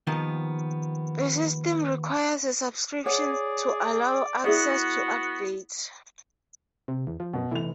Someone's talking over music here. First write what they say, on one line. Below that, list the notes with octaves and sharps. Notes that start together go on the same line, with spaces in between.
The system requires a subscription to allow access to updates.
D#2 D#3 F3 A#3 B3
G#4 C#5 D5 F#5
B3 E4 F#4 G#4 D5
C3
E2
F3
F#2 B2
F1 E3 F7